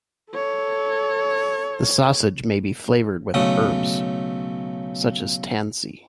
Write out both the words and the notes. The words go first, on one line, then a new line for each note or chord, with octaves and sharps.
The sausage may be flavoured with herbs, such as tansy.
A4 C#5
B1 C#3 A3 D#6